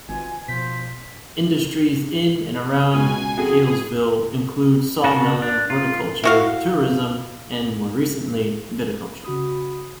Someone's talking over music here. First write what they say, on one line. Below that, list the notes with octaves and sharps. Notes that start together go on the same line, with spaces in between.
Industries in and around Healesville include sawmilling, horticulture, tourism and, more recently, viticulture.
G#1 B2 F4 G#5
B2 F3 C5 B6
C#2 B2 G#5
F2 F#4 G#4 A4
C#3 F#4 A#4 A5
D4
F4
E4 F#4 F5
C#3 F#4 B5 D#6